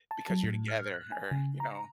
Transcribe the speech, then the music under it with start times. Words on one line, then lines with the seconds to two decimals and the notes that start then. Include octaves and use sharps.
Because you're together, or, you know.
0.11 A5
0.30 F#3
0.44 A2
0.68 F6
0.94 F#6
1.12 G#5
1.31 C#3
1.60 A#5